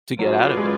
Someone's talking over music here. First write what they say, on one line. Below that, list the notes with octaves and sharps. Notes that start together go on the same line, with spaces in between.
To get out of it.
F#3 C#4 F4 G#4 B4 D5
G#3